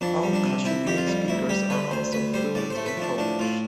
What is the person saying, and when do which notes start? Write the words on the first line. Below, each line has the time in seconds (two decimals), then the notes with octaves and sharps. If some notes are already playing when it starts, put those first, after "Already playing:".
All Kashubian speakers are also fluent in Polish.
0.01 F2 D4
0.23 G3
0.33 D4
0.44 C3
0.64 C4 E4
0.86 F2 G4
0.97 F4
1.07 G3
1.28 D2 E4
1.49 G3 G4
1.70 D3 B4
1.91 D2 C5
2.13 D2 B4
2.34 G3 C5
2.55 A2 D5
2.70 C5
2.76 A3
2.86 B4
2.97 F3 D4
3.18 A2 D4
3.39 A2 F4